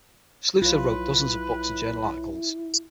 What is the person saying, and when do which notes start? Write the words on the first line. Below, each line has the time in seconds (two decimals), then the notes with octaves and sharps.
Slusser wrote dozens of books and journal articles.
0.62 B1 F#3 E4 F4 B4 C#5